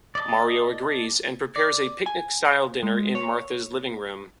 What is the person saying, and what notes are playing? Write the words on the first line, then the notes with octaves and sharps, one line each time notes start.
Mario agrees, and prepares a picnic-style dinner in Martha's living room.
D5 D#5 A5
D5
G#5
G#3
C#5